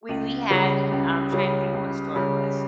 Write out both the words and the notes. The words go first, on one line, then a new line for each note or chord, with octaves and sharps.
we we had I'm trying to think of what store it was.
C#2
C#3 G3 C#4
C#2
C#3 G3 C#4
C#2
C#3 G3 C#4